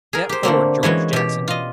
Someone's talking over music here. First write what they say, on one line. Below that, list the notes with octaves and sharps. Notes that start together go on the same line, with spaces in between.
Step forward, George Jackson.
G#4 A#4
G4 C5
D3 A3 A#3 C4
E3 G#3 C#4 F#4
B2 G4
F4 D#5